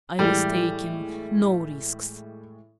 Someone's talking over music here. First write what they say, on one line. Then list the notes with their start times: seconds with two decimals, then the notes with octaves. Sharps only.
I was taking no risks.
0.19 A2 E3 G3 G#3